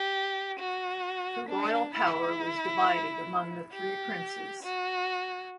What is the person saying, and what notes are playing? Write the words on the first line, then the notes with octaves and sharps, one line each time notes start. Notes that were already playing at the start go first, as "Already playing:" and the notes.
The royal power was divided among the three princes.
Already playing: G4
F#4
D4
E4
G4
F#4